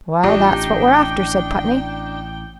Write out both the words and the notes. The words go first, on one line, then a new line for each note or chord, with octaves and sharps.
"Well, that's what we're after," said Putney.
A1 D4 D#4 F4 G4 D5 G5